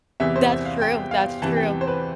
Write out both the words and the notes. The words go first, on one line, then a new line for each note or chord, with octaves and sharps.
That's true, that's true.
E2 C3 E3 E5
C5
E5
F5
G5
F5
E2 C3 E3 A5
G5
C5
B4